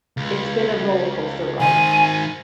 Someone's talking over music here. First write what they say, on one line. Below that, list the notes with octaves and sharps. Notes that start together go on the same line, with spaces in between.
it's been a roller coaster ride.
C#2
D#3 C5 G#5